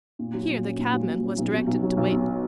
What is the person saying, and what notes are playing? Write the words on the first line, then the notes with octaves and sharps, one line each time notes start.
Here the cabman was directed to wait.
A#2
F#3
A#2
C#4
A#2
F#3
A#2
C#4
B1
B2
B1
F#3
B1
B2